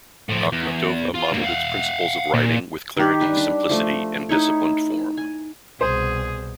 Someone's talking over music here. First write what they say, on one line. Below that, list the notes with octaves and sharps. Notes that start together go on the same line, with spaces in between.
Akhmatova modeled its principles of writing with clarity, simplicity, and disciplined form.
A2 F3
E2
F4
D2 A#3
F5 F#5
A#2
D#3 G4
G3 B4
D4
F3 A3
D#4 E4 C#5
G#5
C2 B2 G#4 C5